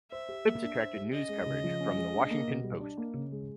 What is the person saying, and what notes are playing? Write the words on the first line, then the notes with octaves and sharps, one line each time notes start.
The clips attracted news coverage from "The Washington Post".
C5 E5
G4
A#3
D4
C5
G4
C#4 D#5
G#3
C#3
F3
C#4
G#3
D4
A#3
B2
G3
D4
A#3
C#3
G#3